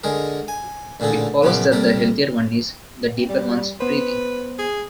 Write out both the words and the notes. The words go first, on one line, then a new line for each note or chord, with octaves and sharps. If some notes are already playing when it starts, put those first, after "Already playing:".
It follows that the healthier one is, the deeper one's breathing.
D3 G#3 G#4 A#4
G#5
A1 A#2 D3 G#4 A4
F#2 A#2 C#3 F3 B3 D6
C3 G3 A4 A#4
G3
B3 B4 C5
G#4